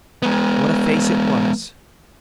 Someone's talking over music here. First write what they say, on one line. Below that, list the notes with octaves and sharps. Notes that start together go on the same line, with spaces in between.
What a face it was!
G#3 B3